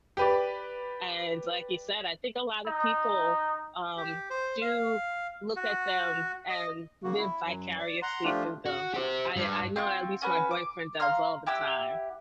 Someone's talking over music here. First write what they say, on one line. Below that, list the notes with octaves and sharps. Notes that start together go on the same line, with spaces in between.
and like you said, I think a lot of people, um, do look at them and live vicariously through them, I I know at least my boyfriend does all the time.
G4 B4 D5
D#4
G4
C5
F5
F#4
D#5
C#3 A#3 F#4
E4
F#2 F#3
D5
F#5 A#5 C6
F3 A3 D4 F4 G4
F#4
G4 C5
G2
C4 F4 F#4 C#6
C#4 F#4 B4
D6
F5 A#5 C6 F6
E4 G4 F#5 E6